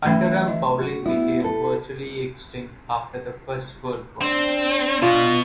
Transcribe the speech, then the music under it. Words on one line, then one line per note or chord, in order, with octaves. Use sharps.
Underarm bowling became virtually extinct after the First World War.
E3 A3 C#4 E5 G5
D#5
F#4
B3 E4 F#4
A4 B4
C4 D4
B2 F4